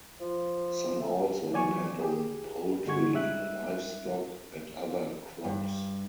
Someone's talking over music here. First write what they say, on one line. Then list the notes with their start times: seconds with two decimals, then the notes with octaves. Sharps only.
Some also depend on poultry, livestock, and other crops.
0.21 F3
1.00 A3
1.52 E3 F#3 D5 G#5 C#6
2.01 G4 G#4
2.86 G2 D3 G#3 F#4 C#6 G#6
3.13 G#2 G3 D#4 E5 F#6
5.45 G2